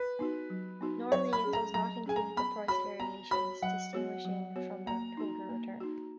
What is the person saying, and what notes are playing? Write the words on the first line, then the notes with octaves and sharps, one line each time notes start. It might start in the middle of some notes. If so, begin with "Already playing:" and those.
Normally, it does not include the price variations, distinguishing it from the total return.
Already playing: B4
B3 D#4 F#4
F#3
B3 D#4 F#4
F#3 C#5
B5
C#4 G#4
A#5
F#3 A#5
C#4 G#4 G#5
A#5
B3 B5
F#4 C#5 B5
B3 A#5
F#4 C#5 B5
F#3 F#5
B3 F#4 C#5
F#3
B3 F#4 C#5
A#3 A#5
D#4 F#4
A#3
D#4 F#4